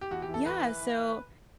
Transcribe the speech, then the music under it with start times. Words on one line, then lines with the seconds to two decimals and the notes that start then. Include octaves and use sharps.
Yeah, so
0.01 G4
0.11 E2 F#4
0.22 G4
0.28 E3
0.34 A4
0.45 E2 B4
0.63 E3
0.80 E3